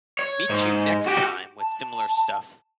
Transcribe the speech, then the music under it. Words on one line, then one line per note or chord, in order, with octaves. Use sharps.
Meet you next time with similiar stuff.
C#5
G#2
F#4 G4
A5